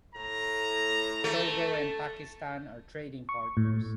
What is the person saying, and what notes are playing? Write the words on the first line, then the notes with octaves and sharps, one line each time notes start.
Togo and Pakistan are trading partners.
A2 A#5
A3
C#6
A2